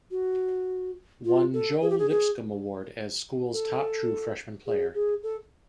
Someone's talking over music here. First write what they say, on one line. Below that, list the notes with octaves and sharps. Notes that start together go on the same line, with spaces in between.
Won Joe Lipscomb Award as school's top true freshman player.
F#4
F4
A4
G#4
G4
G#4
G#4
A4
G#4
G#4
A4